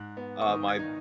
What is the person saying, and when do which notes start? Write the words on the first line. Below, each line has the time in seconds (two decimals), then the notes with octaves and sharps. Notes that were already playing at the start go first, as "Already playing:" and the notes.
Uh, my
Already playing: G#2 F#6
0.17 B3
0.42 C#6
0.48 D#3 D#6
0.68 G#6
0.79 D#4